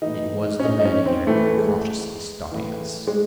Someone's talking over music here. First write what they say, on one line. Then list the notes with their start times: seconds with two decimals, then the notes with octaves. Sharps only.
It was the man-eater, cautiously stalking us.
0.02 A2 E3 D#4
0.59 C#4
0.64 D#4
0.79 D#4
0.85 C#4
1.06 C4
1.26 A2 E3 A3
1.58 G#3
2.51 A2 E3
3.07 G#3